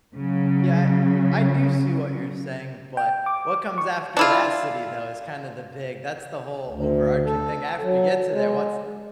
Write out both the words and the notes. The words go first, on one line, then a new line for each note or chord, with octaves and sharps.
Yeah, I do see what you're saying, but what comes after that city, though, is kinda the big that's the whole overarching thing, after you get to there, what's
C#3 F#3
G5
D6
C#6
D4 E4 F4
D2
A4
F#3
G#3